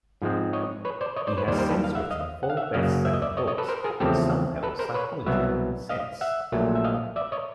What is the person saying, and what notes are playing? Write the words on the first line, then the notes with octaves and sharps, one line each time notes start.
He has since written four best selling books on self-help psychology since.
G#2 F3 G#3 C4
C#5 D#5
B4 C#5
C5 D5
C#5 D#5
C5 D5
B4 C#5
D#2 D#3 G3 C5 D5
A#4 C5
A4 B4
F5
E5 F#5
D#5 F5
F#5
F5
E5 F#5
F#2 C#3 F#3 A#3 D#5 F5
E5
D#5
D5 E5
C#5 D#5
C#5 D#5
A4 B4
A#4 C5
G#4 A#4
E2 C#3 F3 A3 C4 G4 A4
A4 B4
A#4 C5
B4 C#5
C2 B2 F#3 B3 E5 F#5
D#5 F5
E5 F#5
A#1 A#2 F#3 A3
E5
D#5 F5
D5 E5
C#5 D#5